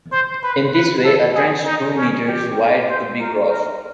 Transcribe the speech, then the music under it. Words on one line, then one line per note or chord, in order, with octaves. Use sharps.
In this way a trench two metres wide could be crossed.
C5
B4
B4
A4
G#4
D#4
C#4
G4
C5
A#4
A#4